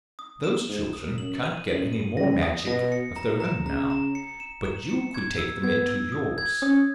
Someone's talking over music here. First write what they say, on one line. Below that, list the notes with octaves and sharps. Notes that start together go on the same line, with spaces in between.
Those children can't get any more magic of their own now, but you could take them into yours.
D#6
E7
G#2 E7
D#6
F#2 F#7
D#7
F#2 F#7
D#7
C#3 A#6
D#6
B2 A#6
C#7
A#5
A#5
C#3 A#5
A#5
C#7
E7
E7
C#7
G#6
E6
B3 G#6
E6
D#6
G#6
C#4 D#6